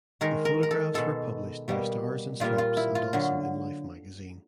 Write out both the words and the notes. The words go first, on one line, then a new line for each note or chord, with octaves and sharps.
The photographs were published by Stars and Stripes and also in Life magazine.
D#3 G#3 A#4
A#4
A#4
A4
B2 G#3 A4
B2 G3 A#3
A#2 G3 A#3 F4
F4
E4
F4
D3 F#3